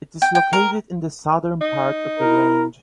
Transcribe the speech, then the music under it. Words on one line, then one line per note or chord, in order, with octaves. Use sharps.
It is located in the southern part of the range.
G5
G5
A#4
D#4
E4 A#4